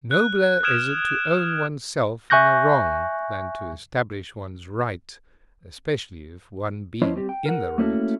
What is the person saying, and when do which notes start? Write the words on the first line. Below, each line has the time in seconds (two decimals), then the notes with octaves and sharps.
Nobler is it to own oneself in the wrong than to establish one's right, especially if one be in the right.
0.11 F#6
0.63 D#6 F6 G#6 D7 E7 F7
2.30 E5 G#5 C#6 F#6 G6 A#6
7.02 F3 C#4 E4 C5 C#5 D#5
7.16 G3 C4 G4
7.29 G5
7.46 A#4 F#5
7.78 A3 A#3 C#4 E4 F#4 A4